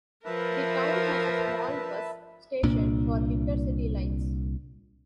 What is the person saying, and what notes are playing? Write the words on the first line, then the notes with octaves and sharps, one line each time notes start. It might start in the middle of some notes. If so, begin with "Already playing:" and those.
The town has a small bus station for intercity lines.
F3 A#4 B4 E5 A5
C2 A#2 D4